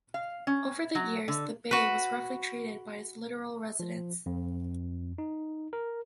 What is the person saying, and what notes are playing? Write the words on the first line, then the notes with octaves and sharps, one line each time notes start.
Over the years, the bay was roughly treated by its littoral residents.
F5
C#4
F#3
D3
F#4 B4
F3
F2
D#4
A#4